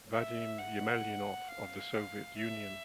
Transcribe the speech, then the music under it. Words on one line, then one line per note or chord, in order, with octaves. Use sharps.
Vadim Yemelyanov of the Soviet Union.
E5
F#5
F5
E5